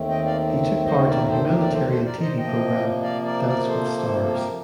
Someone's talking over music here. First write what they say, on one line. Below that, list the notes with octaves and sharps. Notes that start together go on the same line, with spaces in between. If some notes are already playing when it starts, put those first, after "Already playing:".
He took part in humanitarian TV programme "Dance with stars".
Already playing: D#2 D#3 A3 C4
D#5 G5
D5 F5
C5 D#5
A#4 D5
A4 C5
G4 A#4
D5
A4 C5
A4 C5
A#4 D5
C5 D#5
C3 F3 A#3 D#5 G5
D5 F5
A#4 D5
A#4 D5
A4 C5
A4
G4 A#4